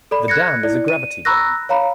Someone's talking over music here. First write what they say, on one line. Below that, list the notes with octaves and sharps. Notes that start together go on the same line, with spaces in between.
The dam is a gravity dam.
A4 D5 B5
F#6 G#6 A#6 C#7
E4 D5
D#7
A#5 B5 C#6 E6 F#6 A#6
C#5 F5 A#5 B5